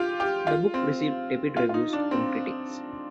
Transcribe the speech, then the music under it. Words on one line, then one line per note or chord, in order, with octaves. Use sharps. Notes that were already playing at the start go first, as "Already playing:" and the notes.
The book received tepid reviews from critics.
Already playing: F4 G4
G4
F4
C4
F4
F4
D#4
D4
C4